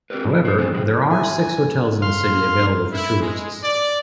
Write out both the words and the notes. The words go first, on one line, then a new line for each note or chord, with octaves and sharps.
However, there are six hotels in the city available for tourists.
C4 D#4 G4 A#4 B4
F3 C5
F4 C5
B3 C4 D4 G#4 B4 C5
D#3 F#3 G#3 G#4
E4 G#5
F5 C6
E4
G#3
D5